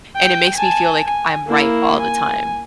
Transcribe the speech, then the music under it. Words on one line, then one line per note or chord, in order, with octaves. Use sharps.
and it makes me feel like I'm right all the time,
G5
G#5 A5
G#5
A#3 E4
G#5